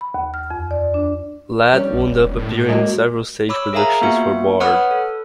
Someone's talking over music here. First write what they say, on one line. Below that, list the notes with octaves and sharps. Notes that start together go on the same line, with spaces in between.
Ladd wound up appearing in several stage productions for Bard.
B5
D#2
F6
F2
D5
D4
G3 C#4
B1
E1
A2
G#3 A#3 F#4
C#5 B5 D6 E6
G#4 A#4 E5 F5 G#5 A#5
A#3 B3 F4 F#4 E5 C#7
B4 C#5 F#5 B5 D#6 F6
A4